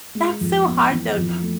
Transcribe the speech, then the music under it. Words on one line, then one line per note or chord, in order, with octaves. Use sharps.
that's so hard, though,
G#3
F2
B3
E3
F2
A3